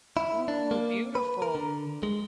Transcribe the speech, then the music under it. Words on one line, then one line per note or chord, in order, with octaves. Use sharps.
Ooh, beautiful!
E4
D4
A#3
B4
A#4
D3
G#3